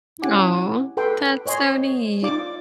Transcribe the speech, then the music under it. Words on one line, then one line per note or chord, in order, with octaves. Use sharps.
Aw. That's so neat.
C#4 E4 G4 F#5 G#5 D6
A4 B4 G5 C6
C5 C#5 D#5 G#5 C6
D#4 F4 D5 F5 D6